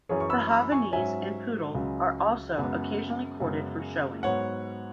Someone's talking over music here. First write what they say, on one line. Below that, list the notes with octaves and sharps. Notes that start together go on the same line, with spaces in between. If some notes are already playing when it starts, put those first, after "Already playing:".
The Havanese and Poodle are also occasionally corded for showing.
F#2 E3 C#4 G#4 C#5
C#6
B5 E6
B5 E6
G#5 C#6
G#2 F#3 C#4 E5 G#5
C#2 C#3 F#3
F#2 C#3 G#3 B3
F#2 C#3 G#3 B3
G#2 F#3 B3 C#5 F#5